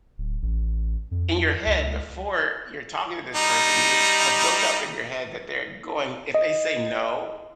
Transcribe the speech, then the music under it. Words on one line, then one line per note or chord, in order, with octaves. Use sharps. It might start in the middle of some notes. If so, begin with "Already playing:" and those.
in your head, before you're talking to this person, you have built up in your head that they're going if they say no
D1
A1
F2
C#2
G3 D#4
D#5